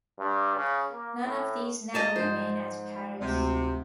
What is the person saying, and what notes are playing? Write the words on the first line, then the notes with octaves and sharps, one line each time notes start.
None of these now remain at Paris.
G2
C#3
A#3
A2
G#3 D#5 A5 A#5
G#2 F3 C5
D2 C3